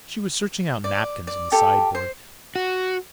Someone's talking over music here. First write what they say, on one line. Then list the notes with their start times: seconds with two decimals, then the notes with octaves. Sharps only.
She was searching out napkins in the sideboard.
0.84 D5
1.27 D5
1.52 G4 A4
1.95 C5
2.56 F#4